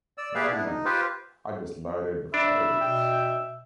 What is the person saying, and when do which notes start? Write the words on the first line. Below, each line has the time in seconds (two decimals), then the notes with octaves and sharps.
One minute. I just lighted the fireworks.
0.18 D5 E6
0.35 G4 G#4 B4 D5 E5 F5
0.51 B3 D4 E4
0.66 D#4
0.85 F4 G4 B4 C5
2.34 D4 E5 B5
2.81 B2 G5